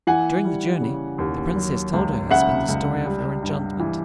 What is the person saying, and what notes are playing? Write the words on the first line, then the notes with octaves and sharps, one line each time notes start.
During the journey, the Princess told her husband the story of her enchantment.
E3 F#5 G#5
G3
C#3
D#2
F#3
C#2
C#3 E5 F#5
C#2
G3
G2
E3